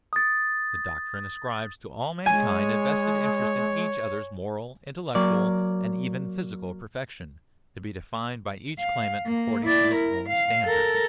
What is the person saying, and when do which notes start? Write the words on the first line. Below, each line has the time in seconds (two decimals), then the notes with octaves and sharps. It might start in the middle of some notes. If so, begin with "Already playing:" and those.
The doctrine ascribes to all mankind a vested interest in each other's moral, intellectual, and even physical perfection, to be defined by each claimant according to his own standard.
0.13 D#6 A6
2.26 G#3 C#5 G#5
5.15 F#3 A#3 D5
8.79 F5
9.26 A#3
9.64 E4 D5
9.95 A#4
10.29 F5
10.65 A4 A#4